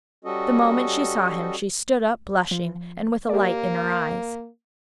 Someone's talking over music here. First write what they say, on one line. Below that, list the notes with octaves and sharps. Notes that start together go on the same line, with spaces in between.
The moment she saw him she stood up blushing, and with a light in her eyes.
G3 C#4 F#4 A4 D#5
F3
A#3 G4 D5